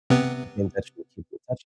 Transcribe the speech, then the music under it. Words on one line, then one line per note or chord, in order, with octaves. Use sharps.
keep in touch you keep in touch
C3 B3